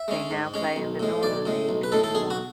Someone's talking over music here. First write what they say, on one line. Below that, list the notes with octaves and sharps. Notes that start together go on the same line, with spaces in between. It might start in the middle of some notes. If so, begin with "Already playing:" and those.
They now play in the Northern League Division One.
Already playing: E5
G#3 C#4
G#2
G#3 C#4
B1
A2 G#3
B1 D5
A2 G#3
B1
B4
A2 G#3 A4
A4
B1 G#4
F#4